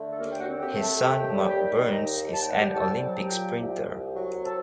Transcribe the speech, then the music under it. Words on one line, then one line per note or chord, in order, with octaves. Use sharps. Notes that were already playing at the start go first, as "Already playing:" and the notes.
His son Marc Burns is an Olympic sprinter.
Already playing: D3 A3
A4
D#2 A#3 A#4
G5
F#4 F#5
C4
G4 G5
A3
A4 A5
D#2 G4 G5
G3
G4 G5
D#3
D#2 D#4 D#5
D#2
A5
G3 G5
F#5
G4 G5
C2 A4 A5
F#3
G4 G5
A#2
C2
C2
F#3
C4 A4 A5